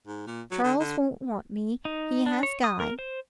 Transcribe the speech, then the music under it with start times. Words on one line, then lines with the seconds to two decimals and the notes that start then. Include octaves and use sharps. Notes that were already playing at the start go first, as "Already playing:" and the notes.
Charles won't want me, he has Guy.
0.07 G#2
0.27 A#2
0.51 F#3
0.64 D3
0.80 D3
1.85 D#4
2.26 D4
2.43 C#5
2.64 D#6
2.80 A#4
2.99 C5